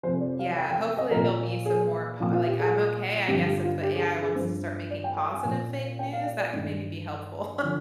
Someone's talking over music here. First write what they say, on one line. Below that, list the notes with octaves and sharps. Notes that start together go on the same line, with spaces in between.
Yeah, hopefully, there'll be some more po like, I'm okay, I guess if the AI wants to start making positive fake news, that could maybe be helpful.
F2 C3 F3 C5
D5
F5
G5
G5
D#5
A#2 F3 A#4
G#4
A#2 F3 F4
F4
G4
G#4
G2 D3 F3 G4
G4
F4
G4
G#4
G#4
G2 F3 C5
D5
G5
G5
G#5
A#2 F3
G5
F5
D5
D5
G2 D#3
D3 F3